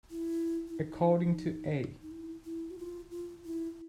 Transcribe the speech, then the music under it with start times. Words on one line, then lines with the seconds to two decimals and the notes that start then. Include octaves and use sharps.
According to A.
0.10 E4
0.68 E4
0.77 D#4
2.02 D#4
2.11 E4
2.45 E4
2.70 F#4
2.78 F4
3.11 F4
3.45 E4